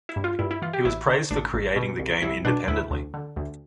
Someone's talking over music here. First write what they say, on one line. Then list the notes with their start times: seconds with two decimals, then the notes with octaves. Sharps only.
He was praised for creating the game independently.
0.09 E4
0.16 G2
0.24 F4
0.39 G2 E4
0.51 E4
0.62 E3 F4
0.73 G4
0.85 A1 E4
1.08 D3
1.31 A1 D4
1.54 A1
1.76 B2
1.99 C2
2.22 C2 E4
2.45 B2 D4
2.68 D2 E4
2.91 D2
3.14 D3
3.36 D2